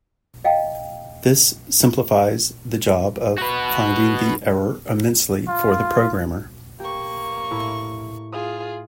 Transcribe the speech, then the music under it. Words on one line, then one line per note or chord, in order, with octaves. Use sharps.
This simplifies the job of finding the error immensely for the programmer.
D#5 F5 G5 A5
F#4 B4
F4
A#3 G4 C#6
A2 E4
F4 G#4 D#6